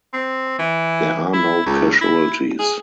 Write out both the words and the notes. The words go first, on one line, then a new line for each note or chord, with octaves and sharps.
There are no casualties.
C4
E3
E4
C#2
E4
G#4